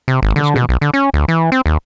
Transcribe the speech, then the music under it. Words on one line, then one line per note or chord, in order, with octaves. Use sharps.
That's good.
C3
G#1
D3
B2
B1
D3
C#4
D2
E3
C4
D#2